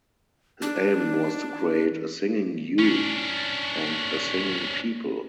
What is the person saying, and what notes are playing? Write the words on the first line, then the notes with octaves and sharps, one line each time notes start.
His aim was to create "a singing youth" and "a singing people".
D4
C#4 D4